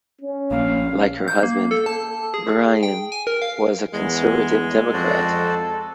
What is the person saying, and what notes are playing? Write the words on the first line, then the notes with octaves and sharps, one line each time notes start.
Like her husband, Byron was a conservative Democrat.
C#4
A#1 A#3 F5
G6
A#3
A4
A5
G#4
G5
G#5
A#4
F5
E2 G#3 D#5
F2 F#4 A4 C5 D5